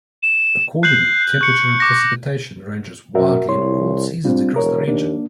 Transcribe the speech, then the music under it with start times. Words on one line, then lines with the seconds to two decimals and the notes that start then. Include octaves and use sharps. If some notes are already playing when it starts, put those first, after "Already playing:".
Accordingly, temperature and precipitation ranges wildly in all seasons across the region.
0.23 E7
0.83 F#6 G6 C7 F#7
1.41 C#6 F#6 C#7
1.80 D6 A#6
3.15 F#2 F#4 A#4 E5
3.49 C2 E4 C#5 C6
4.25 G3 C4 D4 F4
4.56 E1 A#4 C#5
4.87 D#2 A#3 D4